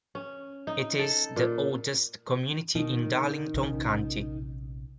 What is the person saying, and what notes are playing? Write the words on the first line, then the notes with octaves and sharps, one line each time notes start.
It is the oldest community in Darlington County.
C#4
D#4
A4
A#2
B2 D#3
A#1 C3 C#4